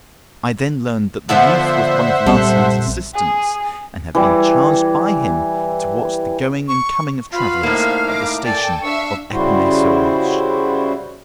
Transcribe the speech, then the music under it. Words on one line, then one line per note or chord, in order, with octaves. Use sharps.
I then learned that the youth was one of Larsan's assistants and had been charged by him to watch the going and coming of travellers at the station of Epinay-sur-Orge.
D3 F3 B3 C5 E5 F#5
A#1 G3 C4 A4
G#4
E3 G3
C#6
F4 F#4 B4 F5 B5
A2 A#3 D#4 C5 E5 F#5
E4 A#5 D6
A4 D5 G5 G#5
D4 E5 F5 C#6 E6
C#3 G3 E4 F#4 C5